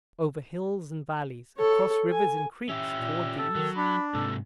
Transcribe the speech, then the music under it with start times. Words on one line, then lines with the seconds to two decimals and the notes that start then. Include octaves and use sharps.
Over hills and valleys, across rivers and creeks, toward the east.
1.58 A4 C#5
2.11 G#5
2.69 C#4 G4 E5
2.98 A#2
3.38 A4
3.55 D#3 F#3
3.76 D4 B5
4.14 G#2 C3 A4